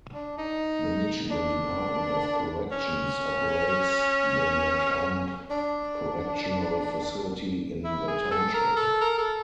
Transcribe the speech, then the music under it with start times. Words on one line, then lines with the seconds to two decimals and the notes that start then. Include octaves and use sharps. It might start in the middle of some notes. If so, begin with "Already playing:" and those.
The Michigan Department of Corrections operates the Macomb Correctional Facility in the township.
0.14 D4
0.38 D#4
1.31 D4
2.71 C#4
5.50 D4
7.84 E4
8.08 G#4
8.31 A4
8.54 A#4
8.76 A4
9.01 A#4
9.18 A4